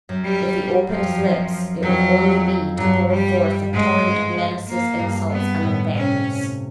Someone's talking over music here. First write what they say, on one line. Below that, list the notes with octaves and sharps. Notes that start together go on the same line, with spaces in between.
If he opened his lips it would only be to pour forth a torrent of menaces, insults, and invectives.
F#2
G3
F2 F3
F#2
F#2
F2 F#3
G2 F#3
G3
G#2 G#3
A#3
G2
B3
A2
C3 C#4